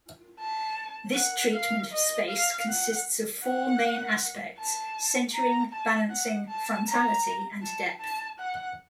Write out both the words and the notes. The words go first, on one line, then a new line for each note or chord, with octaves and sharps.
This treatment of space consists of four main aspects: centering, balancing, frontality, and depth.
A5
F#5
F5
D#5
F5
F#5
F#5
A5
A#5
A5
F#5
A5
A#5
A5
A5
F#5